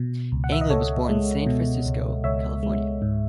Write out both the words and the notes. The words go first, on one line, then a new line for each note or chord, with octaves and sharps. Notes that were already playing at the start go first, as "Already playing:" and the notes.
Anglim was born in San Francisco, California.
Already playing: B2
C#2
F#5
E5
D#5
C#2 A4 C#5
G#3
B2
C#2
C#2 C#5 E5
G#3
G#2